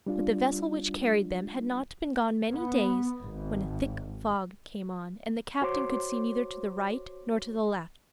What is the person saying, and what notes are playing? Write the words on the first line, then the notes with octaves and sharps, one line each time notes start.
But the vessel which carried them had not been gone many days when a thick fog came on, and the captain could see neither to the right nor to the left.
G3 D4 F4
B3
G#1
F#4 C5 C#5 C6 D6